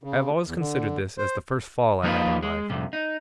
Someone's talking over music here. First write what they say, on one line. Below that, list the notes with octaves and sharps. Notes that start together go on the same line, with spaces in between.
I have always considered this as the first fall I had in life.
C#3
E2
D3
C5
F3 A#3 D#4 F4 B4
G#3
C2 F2 C3
D#4